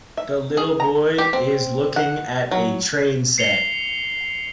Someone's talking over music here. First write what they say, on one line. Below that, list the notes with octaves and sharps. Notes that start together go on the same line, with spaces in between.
The little boy is looking at a train set.
E5
G#4
A#5
G4
C4
F#5
F#3
C7 C#7 F7 G7